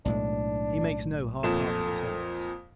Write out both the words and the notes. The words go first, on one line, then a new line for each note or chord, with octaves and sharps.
He makes no half-hearted attempts.
B1 A2 G#3 D4
F2 A#2 A4 E7